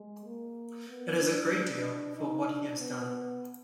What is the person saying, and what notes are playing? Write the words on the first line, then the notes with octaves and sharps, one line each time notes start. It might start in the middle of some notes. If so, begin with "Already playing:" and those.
It's a great deal for what he has done.
Already playing: G#3
A#3
B3
D4
D#4
D4
B3